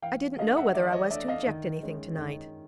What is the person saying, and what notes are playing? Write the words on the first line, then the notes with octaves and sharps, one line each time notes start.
I didn't know whether I was to inject anything to-night.
E3 F5 G5
A3 D4 D#5 F5
E5 F#5
E3 D5 E5
C#5 D#5
A3 D4 D5 E5
D#5 F5
D#3
G#3 C#4
D#3